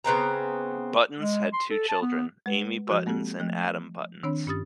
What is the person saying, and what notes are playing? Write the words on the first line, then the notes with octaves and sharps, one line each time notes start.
Buttons had two children, Amy Buttons and Adam Buttons.
C#3 B3 C4 A#5
G#3
C6
A4
A5
B3
G#3 B4
F3 F#4
G#3 A#3 C4 G4 A4
F3 A3
D#3 C4 D4 C#5 B5
G2 C#4 G4 D#6 A6